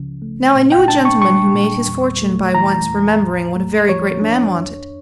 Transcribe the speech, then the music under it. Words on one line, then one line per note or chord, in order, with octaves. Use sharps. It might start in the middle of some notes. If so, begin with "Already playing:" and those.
Now, I knew a gentleman who made his fortune by once remembering what a very great man wanted.
Already playing: C#2 C#3 F3
A3
A#2
G5
D4 A5
C#6
G3 C#6
A#2
E2
A3
E3 A#5
E2
A2
A3
F3 C#5
D4
F2